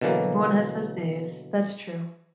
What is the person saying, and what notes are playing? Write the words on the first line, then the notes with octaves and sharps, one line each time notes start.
Everyone has those days. That's true.
B2 D3 E3 F#3 A#3